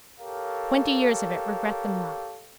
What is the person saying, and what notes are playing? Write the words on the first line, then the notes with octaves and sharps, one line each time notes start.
Twenty years of it, regret them not.
G4 A4 A#4 C#5 F5